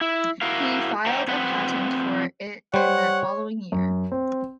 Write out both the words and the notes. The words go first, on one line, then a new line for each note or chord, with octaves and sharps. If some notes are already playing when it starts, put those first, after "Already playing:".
He filed a patent for it in the following year.
E4
E4 F#4 A#4 F5
C5 D#5 F#5 G5 A#5
F2 C4 B4 F#5
G3 C5 C#5 F#5
F#2
C4